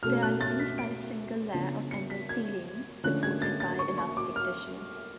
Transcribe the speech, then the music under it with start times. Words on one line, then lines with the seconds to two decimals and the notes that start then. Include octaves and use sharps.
They are lined by a single layer of endothelium supported by elastic tissue.
0.03 B2 A3 C#4 F6
0.22 F#6
0.41 A6
0.60 B6
0.78 D7
1.54 C#3 F3 B3 D4
1.91 C#7
2.10 B6
2.29 G#6
3.04 D3 F3 A3 C#4 F#6
3.23 G#6
3.42 A6
3.60 A6
3.79 C#6
3.98 C#6
4.17 D6
4.36 F6